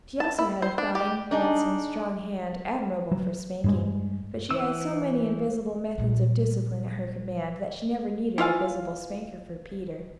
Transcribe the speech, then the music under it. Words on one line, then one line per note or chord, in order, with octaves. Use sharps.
She also had a fine, handsome, strong hand admirable for spanking, but she had so many invisible methods of discipline at her command that she never needed a visible spanker for Peter.
A5
E4
C5
D4
G4
D4 D#4 G#4
F#3
G2 G3 G#3
E3 C5 E6
A#2 G3
E4 F4 F5 G#5